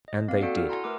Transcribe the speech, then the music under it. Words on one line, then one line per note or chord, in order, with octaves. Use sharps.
And they did.
D#5
A#3 C4 F5
F#4 A4 D5 F#5 C#7
E4 E6 F6
F#5 G#5 A#5 C6
A3 A#4 B4 D6 E6